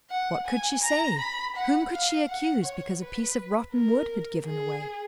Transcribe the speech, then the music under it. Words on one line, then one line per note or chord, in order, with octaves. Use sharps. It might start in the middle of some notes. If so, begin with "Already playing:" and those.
What could she say, whom could she accuse, because a piece of rotten wood had given away.
F#5
G#5
A#5
B5
F#5
F5
F#5
C#5
B4
A#4
G#4